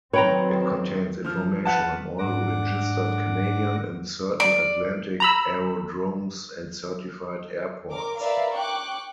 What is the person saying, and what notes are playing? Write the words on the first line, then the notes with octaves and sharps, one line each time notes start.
It contains information on all registered Canadian and certain Atlantic aerodromes and certified airports.
D#3 F#3 C4 B4 C#5 G5 A#5
F3 F6
B4 F#5 A5
G#2 D4 F#5 D6 A#6
D5
A#5 B5 E6
A#4 D6
A#4 B4 D5 E5 F5
G5 C#6 D6 F#6